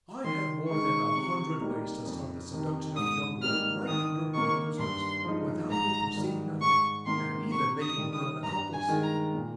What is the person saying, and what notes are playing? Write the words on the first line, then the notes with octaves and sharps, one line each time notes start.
I have more than a hundred ways to start the seduction of a young girl right under her mother's nose, without her perceiving a thing, and even making her an accomplice.
D#3 C6
G#3 D#4 C#6
C3
G3 A#3 D#4
F2
C3 D#3
G#2 D#6
G3 A#3 D#4 F6
D#3 D#6
A#3 D#4 C#6
G2 C6
F3 G#3 D#4
G#2 A#5
D#3 G3
G#2 C#6
D#3 A#3 C6
C3 C#6
D#6
D#3 G3
D#6
G2 A#5
G#5
D#3 G#3
A#5
A#2